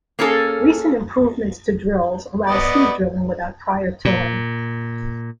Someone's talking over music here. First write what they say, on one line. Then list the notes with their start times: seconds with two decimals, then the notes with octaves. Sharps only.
Recent improvements to drills allow seed-drilling without prior tilling.
0.19 A#3 C#4 G#4 A4
2.47 B3 D5 D#5
4.05 A#2